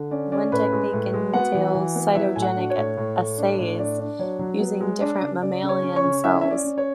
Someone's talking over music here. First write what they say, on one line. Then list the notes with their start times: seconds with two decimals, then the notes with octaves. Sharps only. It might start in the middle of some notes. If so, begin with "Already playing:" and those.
One technique entails cytogenetic assays using different mammalian cells.
Already playing: D3
0.11 C#4 D5
0.32 C#4 D5
0.52 A2 B4 B5
0.73 G#3
0.93 A2
1.13 G#3
1.33 B3 F#4 F#5
1.54 E3
1.75 E3
1.96 B3
2.15 F#3 E4 E5
2.36 A2 G#5
2.42 F#4 F#5
2.56 D4
2.70 C#5
2.77 A2
2.97 A2
3.18 A2
3.38 D4
3.58 A2
3.78 D4 D5
3.99 D4
4.19 F#3 C#5
4.39 F#3
4.60 B3
4.81 G#3
5.01 D4
5.21 C#3
5.42 C#3 D5
5.62 C#3
5.69 C#5 C#6
5.82 C#4
5.96 C#5 C#6
6.03 C#3
6.24 C#4 E4 E5
6.41 C#4 E5
6.51 D5
6.65 C#4
6.78 C#5